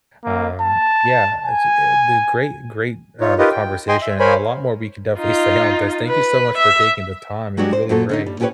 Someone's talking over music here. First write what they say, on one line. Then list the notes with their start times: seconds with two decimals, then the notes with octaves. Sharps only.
Um yeah, as it and the great, great, um, conversation, and a lot more we could definitely say on this. Thank you so much for taking the time, it was really great.
0.24 A#3
0.61 A5
1.45 G#5
3.21 D#4 F4 C#5
3.39 D#4 F4 G4 A#4 B4 D#5
3.51 G5
3.88 D#5 G5 G#5 C6
4.02 E5
4.20 A#4 C5 C#5 G#5 B5
5.18 D#4 F4
6.08 B4
6.58 E5
7.57 F#3 G#3 D4 F#4 G4
7.73 C5
7.89 F#2 A#2 F#4 A4
8.09 D3 C#4 D#4
8.26 G3
8.40 C#4 F4 G4 G#4 B4 C#5